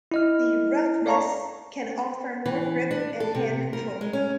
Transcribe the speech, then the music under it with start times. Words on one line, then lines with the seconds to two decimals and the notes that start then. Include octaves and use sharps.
The roughness can offer more grip and hand control.
0.12 E4 D#5 F6
1.06 C#5 D5 F5 A5 A#5 C#6
2.46 E3
2.91 D4
3.20 A4
3.35 C3
3.73 A#4
4.01 G#3
4.13 C#4